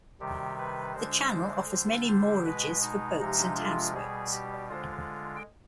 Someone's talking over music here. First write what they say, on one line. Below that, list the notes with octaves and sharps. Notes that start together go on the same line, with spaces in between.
The channel offers many moorages for boats and houseboats.
C3 D#3 G3 G4
B4
D3 G#3 C5
D3 G3
C5
B2 G#3 B4
D#4
C3 F3 G#3 D#4
F4
B2 G3 G#4
G4
D3 G#3 F4